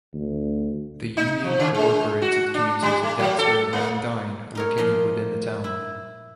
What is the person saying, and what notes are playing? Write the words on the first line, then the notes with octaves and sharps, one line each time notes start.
The unincorporated communities of Dexter and Van Dyne are located within the town.
D2
D#4
F3
C#3
G#3
F#4
D4
G3
A3
F#3
A4
A#3
D#4 A#4 C#5
A#2 F3 D#5 C6
E4